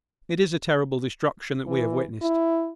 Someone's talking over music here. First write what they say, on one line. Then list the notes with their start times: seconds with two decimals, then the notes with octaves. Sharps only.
It is a terrible destruction that we have witnessed.
1.67 E3
2.22 E4